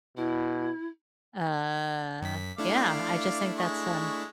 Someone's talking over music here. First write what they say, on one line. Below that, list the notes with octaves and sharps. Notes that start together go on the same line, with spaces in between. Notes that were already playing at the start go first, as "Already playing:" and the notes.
Uh, yeah. I just think that's, um
B2 E4
F#2 B6
A3 D4 E4 D5 F5
G#3 C#6